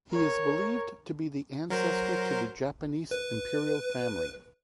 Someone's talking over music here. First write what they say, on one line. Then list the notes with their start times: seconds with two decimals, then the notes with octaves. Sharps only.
He is believed to be the ancestor to the Japanese imperial family.
0.11 A#4 C#5
1.70 F#3 A#4 C5
3.11 B4